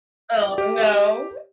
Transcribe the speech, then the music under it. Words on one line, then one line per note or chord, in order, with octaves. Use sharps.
Oh, no.
G4